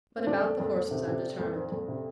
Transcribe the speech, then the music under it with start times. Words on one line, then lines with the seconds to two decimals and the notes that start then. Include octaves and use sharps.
But about the horses I'm determined.
0.17 C4
0.27 F2 D3 D4
0.44 F2
0.60 F2
0.76 F2
0.91 C3
1.07 C3
1.24 F3
1.39 F2
1.55 F3
1.72 F2
1.88 C3